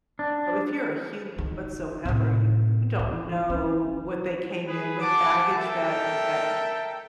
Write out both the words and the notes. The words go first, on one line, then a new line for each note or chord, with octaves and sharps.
know if you're a human whatsoever, you don't know what they came in with, baggage that that
D4
D#3
A2 C3
E4
C#4
G#4 B4
F#5 A5 D6
A4 A#4 E5 G5